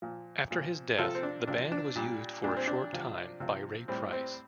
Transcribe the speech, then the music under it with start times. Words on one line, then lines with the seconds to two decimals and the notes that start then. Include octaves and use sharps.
After his death, the band was used for a short time by Ray Price.
0.02 A#2 F3
0.51 A#2 F3
0.98 C3 F3 F4 A4
1.15 C4
1.23 D4
1.47 C3 F3 D4
1.72 D4
1.96 A#2 G3
2.43 A#2 G3 D4
2.57 C4
2.67 D4
2.93 C3 F3
3.40 C3 F3
3.88 A2 G3 C4
4.12 C4